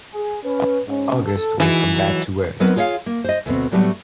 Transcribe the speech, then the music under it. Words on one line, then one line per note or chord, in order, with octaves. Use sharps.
August went from bad to worse.
G#4
C#4 B4
G#2 C#4
A4
E3 G#3 D#4 F#4
G#2 D#3 F#3
F#3 B3 C4 D#4 A#4 B4
F4 G#4 C#5 D#5 F5
A#3
C5 D#5
D2 B2 C4
A2 F#3 G3 A3 B3